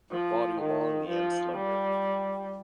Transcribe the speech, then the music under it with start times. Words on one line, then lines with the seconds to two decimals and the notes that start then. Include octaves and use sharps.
Body long and slender.
0.11 F3
0.60 D#3
1.08 F3
1.57 G3